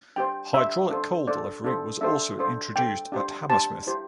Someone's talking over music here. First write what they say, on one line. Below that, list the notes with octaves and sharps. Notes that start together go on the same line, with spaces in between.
Hydraulic coal delivery was also introduced at Hammersmith.
D4 G4 C5 G5
D4 G4 C5 E5
D4 A4 C5
D4 A4 C5 D5
D4 A4 C5
D4 A4 C5 E5
D4 A4 C5
D4 A4 C5 G5
D4 G4 C5
D4 G4 C5 A5
E4 G4 C5